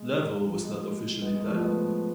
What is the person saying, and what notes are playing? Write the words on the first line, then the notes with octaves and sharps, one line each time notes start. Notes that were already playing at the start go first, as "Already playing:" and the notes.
Level was not officially platted.
Already playing: G#3
F3
G#3
G#3 B3
G#3
F3 A3
G#3 B3